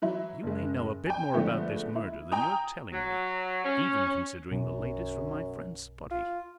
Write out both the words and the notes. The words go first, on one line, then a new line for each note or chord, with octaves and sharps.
You may know a bit more about this murder than you're telling me, even considering the latest from my friend Spotty.
E3 F#3 E4
F#1 G#3
G5 G#5
D3 F3 G#3 A3 B3
E4
G5 G#5 A#5 D#6
F#3
C#4
B1 F#2
F4